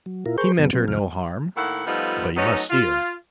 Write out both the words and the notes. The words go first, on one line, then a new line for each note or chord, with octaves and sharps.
He meant her no harm--but he must see her.
F#3
A#2 E4 F4 A#4
G#4 A#4 C5 C#6 G6
G2 B2 F#3 B3
F#3 B3 C4
E2 G2 C3 F3 F6
A2 D#3 A#3 E4 F#5
F3 G3 A3 B3 D#4 F4
F#3 A3 B3 C#4 D#4
F4